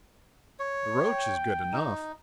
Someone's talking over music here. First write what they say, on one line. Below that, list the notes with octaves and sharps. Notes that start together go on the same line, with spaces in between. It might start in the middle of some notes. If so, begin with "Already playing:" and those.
The roach is good enough!
C#5
G5
D#4